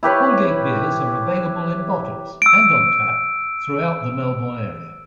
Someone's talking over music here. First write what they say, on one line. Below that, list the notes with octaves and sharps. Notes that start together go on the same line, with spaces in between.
Holgate beers are available in bottles and on tap throughout the Melbourne area.
E4 G4 B4 C#5
E6 D7